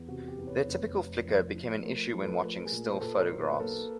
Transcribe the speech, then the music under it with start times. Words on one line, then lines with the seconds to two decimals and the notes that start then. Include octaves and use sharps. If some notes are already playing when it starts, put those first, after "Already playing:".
Their typical flicker became an issue when watching still photographs.
Already playing: E2
0.08 C3 F#4
0.28 G4
0.38 E2
0.47 B4 C#5
0.67 F1
0.96 F1
1.26 F3
1.54 F3
1.83 A3 A#4 C5
2.13 F3
2.23 A4 B4
2.42 A3 A#4
2.54 B4
2.65 G#4 A#4
2.72 A#2
2.90 C5
3.01 A#2 A4 B4
3.20 A#4 C5
3.31 B1
3.40 B4 C#5
3.59 A#3 A4 B4